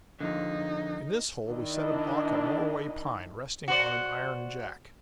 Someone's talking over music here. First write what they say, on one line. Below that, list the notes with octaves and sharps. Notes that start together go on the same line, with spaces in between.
In this hole we set a block of Norway pine resting on an iron jack.
F2 D3 D#4
D#3 D4 E4 D#5
F#4 C5 D5